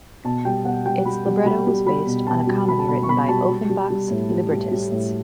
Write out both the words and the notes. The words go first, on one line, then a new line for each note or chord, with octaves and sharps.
Its libretto was based on a comedy written by Offenbach's librettists.
B2 A5
G3 G5
B2 F#5
G3 G5
G3 B5
G3
G3 B5
G3
G3 B5
B2
B2 A5
G3
G3 B5
A5
B2 B5
C#6
B2 B5
G3 A5
G3
G3
G3
A2
G3
G3
G3
A2